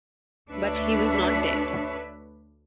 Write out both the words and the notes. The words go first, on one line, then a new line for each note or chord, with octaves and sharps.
But he was not dead.
D2 D4 B4 C#5 E5